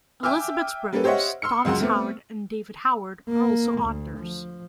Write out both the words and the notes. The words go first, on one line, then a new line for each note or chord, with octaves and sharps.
Elisabeth's brothers, Thomas Howard and David Howard, are also authors.
E5 G5 G#5 D6 E6 F6
G3 A#3 C#4 A4 B4
G4 C5 C#5 D#5 E5 F#5
C6 E6 F6 C#7
C#2 F#2 C#3 F#5 C6
A3 B3 C4
A#3
D2
F3